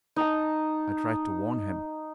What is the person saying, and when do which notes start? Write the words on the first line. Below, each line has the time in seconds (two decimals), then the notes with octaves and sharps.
"I tried to warn him."
0.16 D#4 A5